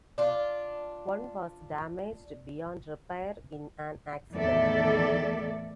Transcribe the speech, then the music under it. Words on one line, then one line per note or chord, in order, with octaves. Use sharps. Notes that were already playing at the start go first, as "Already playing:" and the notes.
One was damaged beyond repair in an accident.
D4 F4
E2 A2 D#3 A4 D5 E5